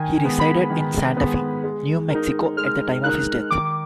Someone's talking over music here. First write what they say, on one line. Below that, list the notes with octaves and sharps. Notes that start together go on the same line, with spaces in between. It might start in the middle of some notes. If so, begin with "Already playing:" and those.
He resided in Santa Fe, New Mexico at the time of his death.
Already playing: D#3 G#5
G#3 B3
B5
D#3
G#3 B3
G#3
D#4 A#4
G#3 F6
D#4 A#4 F#6
D#3 D6